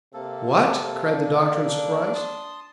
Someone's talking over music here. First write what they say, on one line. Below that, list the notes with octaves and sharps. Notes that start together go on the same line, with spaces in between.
"What?" cried the doctor in surprise.
C3 A#3 A4
D4
A5 C6 D#6